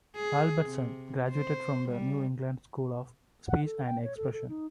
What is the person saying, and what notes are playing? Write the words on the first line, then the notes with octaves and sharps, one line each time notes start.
Albertson graduated from the New England School of Speech and Expression.
G#4
C3
C5
G3
F#5
A4
G5
C#5
A4
A4
D#4